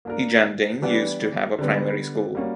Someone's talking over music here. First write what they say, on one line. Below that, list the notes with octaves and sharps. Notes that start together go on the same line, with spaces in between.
Ejanding used to have a Primary school.
A#3 D4 A#4
E3 G3 B3 D4 G4
D3 G3 B3
G3 A#3 C#4 F#4